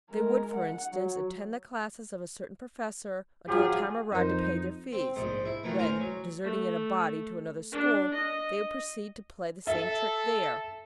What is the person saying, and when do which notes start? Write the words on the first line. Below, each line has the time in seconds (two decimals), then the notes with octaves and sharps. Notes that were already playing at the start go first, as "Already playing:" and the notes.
They would, for instance, attend the classes of a certain professor until the time arrived to pay their fees, when, deserting in a body to another school, they would proceed to play the same trick there.
0.10 G#3 A#4
0.55 F#5
0.92 F#3
3.48 F3 F#3 F4 G4 G#4
4.12 F2 D#4 A#4 C5 D#5
4.92 C4
5.16 A#1 G#2 C5
5.45 E4
5.63 D#3 E3 A3 A#3
5.78 A1 A#4 C5 G#5 A#5
6.00 F#3
6.44 A3
7.72 D4
8.14 D#5
9.67 A4 E5